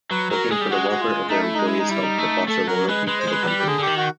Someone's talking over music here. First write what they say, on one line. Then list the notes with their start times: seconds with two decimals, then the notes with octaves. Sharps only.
Working for the welfare of their employees helped to foster loyalty to the company.
0.11 F#3 B4
0.31 F#3 A#4
0.50 G#3 G#4
0.61 G3
0.70 G#3 F#4
0.91 F#4
1.00 F4
1.29 A3 D#4
1.42 E4
1.54 G#3 D#4
1.66 E4
1.78 D#4
1.89 G3 E4
2.02 D#4
2.19 A3
2.48 A3 A4
2.68 F#3 A#4
2.88 G#3 B4
3.07 G#3 B4
3.20 C5
3.28 G#3 B4
3.43 F#3
3.48 G3
3.59 G4
3.67 D3 G#4
3.79 D3 G4
3.87 D#3
3.97 F#4